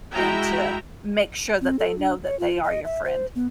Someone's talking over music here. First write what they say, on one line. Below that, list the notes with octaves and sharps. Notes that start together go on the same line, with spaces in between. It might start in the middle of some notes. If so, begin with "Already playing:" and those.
and to make sure that they know that they are your friend.
G#3 E4 F#4 E5 G5 A#5
C4
A4
D4
C#5
F4
D#5
E5
C5
B3